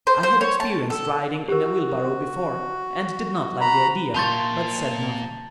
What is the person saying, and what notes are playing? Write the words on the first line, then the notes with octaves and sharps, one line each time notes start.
I had experienced riding in a wheelbarrow before, and did not like the idea, but said nothing.
C5
C5
C#5
A5
A4
F#4 G4 A#4
A#5 B5
A#3 F4 E5 A5 C6 C#6 G6 A6